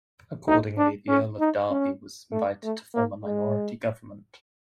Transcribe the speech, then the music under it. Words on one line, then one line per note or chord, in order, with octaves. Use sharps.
Accordingly, the Earl of Derby was invited to form a minority government.
D#4
D4
C#4
D#4
C#4
A3
A3
A#3
G#3